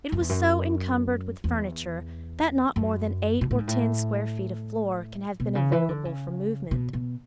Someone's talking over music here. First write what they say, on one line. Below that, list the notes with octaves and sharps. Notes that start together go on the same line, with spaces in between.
It was so encumbered with furniture that not more than eight or ten square feet of floor can have been available for movement.
F#2
E2
F#2
E2
F#2
B2
A2
G#2
A2
B2
C#3
E3
D3
C#3
B2
B2